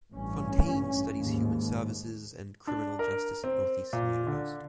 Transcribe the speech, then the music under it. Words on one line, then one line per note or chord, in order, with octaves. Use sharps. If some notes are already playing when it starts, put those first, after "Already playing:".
Fontaine studies human services and criminal justice at Northeastern University.
A1 G2 C#4
D#2 G#2
D4
A#4
C4
A#2
D3